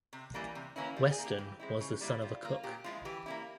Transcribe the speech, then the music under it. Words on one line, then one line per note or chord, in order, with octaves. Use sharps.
Weston was the son of a cook.
C3
E3 G3 A#3
C3
E3 A#3 C#4 E4
G3 F4
G#4
A#3 E4
G4
E3
G#3 C4 E4
C#3
G3 A#3 E4
G3 F4
A#3 F4
A#2 G4
F3 G#3 E4 F4
E3 G4
A#3 C#4 E4